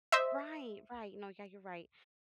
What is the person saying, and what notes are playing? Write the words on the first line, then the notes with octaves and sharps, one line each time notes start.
Right, right, no, yeah, you're right,
C5 D#5 E5